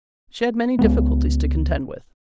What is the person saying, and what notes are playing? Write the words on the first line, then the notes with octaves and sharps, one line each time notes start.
She had many difficulties to contend with.
C#2 G#3 B3